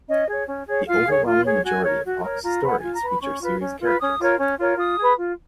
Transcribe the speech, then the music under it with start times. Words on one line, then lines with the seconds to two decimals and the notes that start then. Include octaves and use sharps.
The overwhelming majority of Hoch's stories feature series characters.
0.08 C#4 D#5
0.28 G#4 C#5
0.48 C#4
0.67 G#4 C#5
0.87 F4 F5
1.07 G#4 C#5
1.26 F4
1.45 G#4 C#5
1.65 F#4 G#5
1.85 A#4 C#5
2.04 F#4
2.23 A#4 C#5
2.44 F4 A#5
2.63 B4 F#5
2.79 F4 G#5
2.94 A#5
3.02 B4
3.07 B5
3.22 C#4 C#6
3.41 F4 B4
3.61 C#4
3.80 F4 B4
3.99 C#4 D#6
4.19 F4 A#4 C#5
4.38 C#4
4.59 F4 A#4 C#5
4.78 F4 D#6
4.98 G#4 B4
5.17 F4